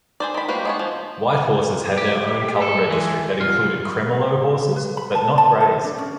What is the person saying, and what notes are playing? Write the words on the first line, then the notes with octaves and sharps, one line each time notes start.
White horses had their own color registry that included cremello horses, but not grays.
G#4 C5 D5
D#3 B5
G3 A#3 F#4 B4 C5
G#3 B3 C#5
F3
G4
A4
E3 G#3
C2 F4
B4
B5
A5
A5
A4
D4
C#4